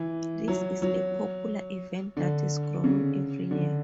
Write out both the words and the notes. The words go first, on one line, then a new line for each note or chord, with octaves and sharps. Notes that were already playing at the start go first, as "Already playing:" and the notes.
This is a popular event that is growing every year.
Already playing: E3
F#3
F#3
D3
C#3
D3